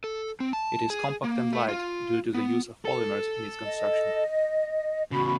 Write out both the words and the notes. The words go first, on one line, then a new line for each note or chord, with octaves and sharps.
It is compact and light, due to the use of polymers in its construction.
A4
C4
A5
G#4
A#3
A3
F4
B3
A4
D#5
E2 C#3 F#4 B5